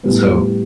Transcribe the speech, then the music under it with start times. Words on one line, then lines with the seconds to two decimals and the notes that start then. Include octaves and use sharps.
Eh, so
0.04 A2 G3 B3